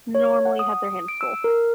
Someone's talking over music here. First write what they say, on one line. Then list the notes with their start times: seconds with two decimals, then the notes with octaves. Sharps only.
normally have their hands full,
0.15 C#5
0.45 F#5
0.59 D#6
1.08 D7
1.21 E6
1.44 A#4